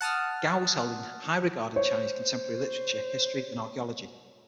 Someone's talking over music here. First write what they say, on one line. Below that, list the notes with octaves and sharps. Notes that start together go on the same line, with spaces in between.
Guo was held in high regard in Chinese contemporary literature, history and archaeology.
F#5 A5 D#6 F6
C5 C#5